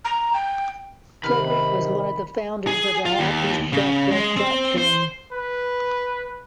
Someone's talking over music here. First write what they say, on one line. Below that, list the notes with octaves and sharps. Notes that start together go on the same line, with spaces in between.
Fredrick was one of the founders of the Happy Chef restaurant chain.
A#5
G5
C3 D#3 B4 B5 F6
G#4
F4
D#2
C#3
G#3
C4
C5
B4